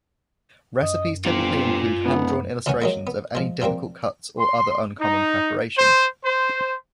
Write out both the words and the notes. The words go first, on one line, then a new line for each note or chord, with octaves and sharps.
Recipes typically include hand-drawn illustrations of any difficult cuts or other uncommon preparation.
F#2 D#5
G1 C4 F4 D5
D1 B3
C#2 E3 C#4 F#5 G#5
F#3 G#3 A#3
B3
F3 G#3
F3 G3 A#3 C4
C6
D#4
C5
C5